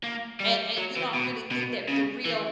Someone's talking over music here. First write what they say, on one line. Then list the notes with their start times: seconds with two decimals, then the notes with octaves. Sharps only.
and and you don't really get that the real
0.04 A#3
0.40 G3
0.78 F#3
0.97 E3
1.14 B2
1.51 B2
1.89 C#3
2.25 E3